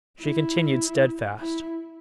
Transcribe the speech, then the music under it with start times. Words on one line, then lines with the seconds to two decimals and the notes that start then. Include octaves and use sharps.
She continued steadfast.
0.22 E4
1.39 E4